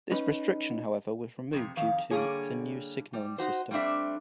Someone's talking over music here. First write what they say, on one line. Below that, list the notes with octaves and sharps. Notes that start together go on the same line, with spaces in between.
This restriction however, was removed due to the new signalling system.
C#4 D#4 B4
F2 C3
F2 D#3 F5
D3 G3 A#3 G#4 C#5
G3
D#4 F#4 C5
G3 A3 C4 D4 E5